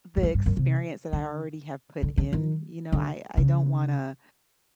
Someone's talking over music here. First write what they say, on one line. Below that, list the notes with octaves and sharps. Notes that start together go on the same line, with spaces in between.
the experience that I already have put in, you know, I I don't wanna,
G2
F#2
G2
F#2
C3
D3
D3
D3
D#3
D3
C#3